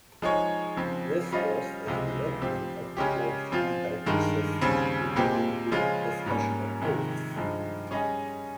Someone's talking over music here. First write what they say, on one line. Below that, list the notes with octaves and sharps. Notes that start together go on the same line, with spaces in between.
This verse is the opening of the fourth antithesis, beginning the discussion of oaths.
F3 G#3 D#4 G#4 C#5
F2 C#3 F3 C4
G3 C#4 F4 C5 D#5
C#2 C3 F3 G#3
F3 C4 G4
C#3 G#3 C#4 G4
F3 C4 F4
G2 D#3 G#3
D#2 C#3 G3 C4
A#2 G#3 C4 G4
C#3 F3 G#3 C#4 F4
G#2 G3 A#3 C#4
F2 C3 D#3 G#3
G2 F3 G#3 D#4
G3 C#4 G#4 D#5